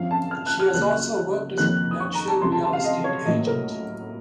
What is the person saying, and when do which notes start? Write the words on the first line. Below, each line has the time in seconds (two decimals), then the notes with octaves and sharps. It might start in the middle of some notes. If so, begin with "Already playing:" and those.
She has also worked as a Prudential real estate agent.
Already playing: F#2 F3 C4 F5
0.11 A5
0.31 F6
0.46 F#6
0.60 F6
0.73 C#2 C#3 F#3 A#3 F#6
1.58 F2 D#3 A#3 D#4 F#6
1.91 D#6
2.00 C#6
2.14 A#5
2.28 A5
2.42 C#2 C3 F#3 C6
2.52 A5
2.63 A5
2.73 F5
2.84 D#5
3.04 C#5
3.26 A2 F#3 A#3 D#5
3.47 A#4